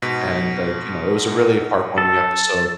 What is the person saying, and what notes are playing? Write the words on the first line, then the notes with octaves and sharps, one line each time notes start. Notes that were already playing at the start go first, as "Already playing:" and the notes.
and like, you know, it was a really heartwarming episode,
G#2 B2 B6
A4